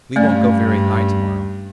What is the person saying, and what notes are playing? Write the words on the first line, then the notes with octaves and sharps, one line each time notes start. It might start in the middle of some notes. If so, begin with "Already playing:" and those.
We won't go very high to-morrow.
G2 A3 C#4 D5